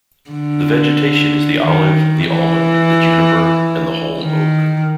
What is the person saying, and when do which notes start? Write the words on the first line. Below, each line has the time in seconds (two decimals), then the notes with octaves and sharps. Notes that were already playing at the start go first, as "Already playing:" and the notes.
The vegetation is the olive, the almond, the juniper and the holm oak.
0.31 D3
1.60 D#3
2.25 E3
4.22 D#3